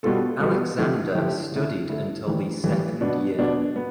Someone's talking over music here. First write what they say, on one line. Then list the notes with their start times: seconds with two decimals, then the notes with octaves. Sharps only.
Alexander studied until the second year.
0.03 B2 G3 B3 F4 A4
0.40 B2 G3 B3 F4 A4
0.77 D3 F3 A3 E4 G4
1.15 D3 F3 A3 E4 G4
1.52 D3 A3 E4
1.89 D3 A3 E4
2.27 A2 E3 G3
2.63 A2 E3 G3
3.01 B2 B3 D4
3.38 B2 B3 D4
3.76 B3